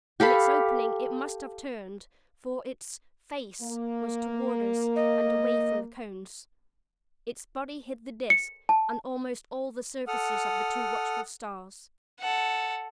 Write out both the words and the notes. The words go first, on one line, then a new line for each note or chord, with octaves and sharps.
In its opening it must have turned, for its--FACE--was toward us and away from the Cones, its body hid the Disk, and almost all the surfaces of the two watchful Stars.
G4 A4 F5 B5
A#3
D#5
C#7
A5
A4 F#5 D#6 F6
A4 F#5